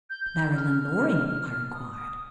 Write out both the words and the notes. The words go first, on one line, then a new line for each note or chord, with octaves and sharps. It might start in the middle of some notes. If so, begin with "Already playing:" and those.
"Marilyn Loring?" I inquired.
G6
G6
F6
D#6